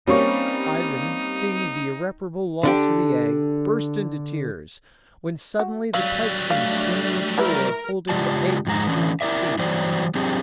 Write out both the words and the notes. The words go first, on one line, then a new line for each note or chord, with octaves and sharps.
Ivan, seeing the irreparable loss of the egg, burst into tears, when suddenly the pike came swimming ashore, holding the egg between its teeth.
G3 A#3 C4 C#4 D#4 C#6
D3 D4 G4
F#4
F#3 G3 F5
A3 D4 F5
E4 A#4 B4 E5
C#3 G#3 F4 G4 D5 A5
F2 G#2 G#3 A#5
E3 A3 C#4 D4
E4 A#4 D5 E5
E3 F#3 G3 G4 C5 D5
F#3 C4 D4 G4 G#4